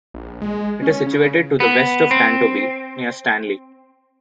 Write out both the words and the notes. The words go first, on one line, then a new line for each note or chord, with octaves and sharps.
It is situated to the west of Tantobie, near Stanley.
A#1
G#3
C#4
C#3
B3
C4